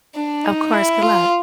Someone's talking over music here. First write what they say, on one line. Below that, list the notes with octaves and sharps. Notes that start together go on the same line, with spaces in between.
Of course, good luck.
D4
D#4
E4
F4